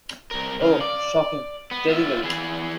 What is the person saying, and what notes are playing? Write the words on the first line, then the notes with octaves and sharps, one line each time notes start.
Oh, shocking — terrible!
C2 A#4
C#3 F5
D5
B3
F4 E5
E3 G#4